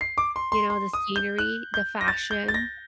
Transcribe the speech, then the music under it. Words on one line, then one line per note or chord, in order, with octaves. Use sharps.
you know, the scenery, the fashion.
C7
D6
C6
C6
C6
D#6
G6
F#6
G6
A#6
A6
G6
A6
A#6